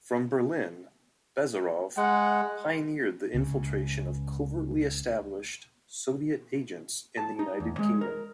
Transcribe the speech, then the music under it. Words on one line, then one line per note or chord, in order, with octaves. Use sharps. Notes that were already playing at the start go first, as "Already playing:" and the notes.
From Berlin, Bazarov pioneered the infiltration of covertly-established Soviet agents in the United Kingdom.
G#3 F#5
C#2 C#3
A5
D#4
E2
G#3
A#4